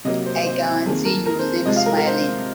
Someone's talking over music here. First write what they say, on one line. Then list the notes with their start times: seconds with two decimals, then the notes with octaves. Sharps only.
I guarantee you will leave smiling.
0.05 C3 F#3 A#3 D#5
0.26 C5
0.46 C5
0.86 F2 D#3 A#3 G#4
1.05 A#4
1.26 A#4
1.39 C5
1.66 C3 F3 G#3 D#5
1.76 F5
1.86 A#4
1.97 A#4
2.07 C5